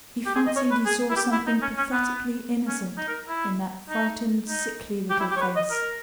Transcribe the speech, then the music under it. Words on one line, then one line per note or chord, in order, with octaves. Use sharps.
He fancied he saw something pathetically innocent in that frightened, sickly little face.
G4
G#4
D#5
C#5
B4
G#4
E4
G4
E4
D#4
C#4
C#4
B3
C#4
D#4
A#4
E4
D#4
D#4
G4
E4
G4
C#5
B4
D#5
A#4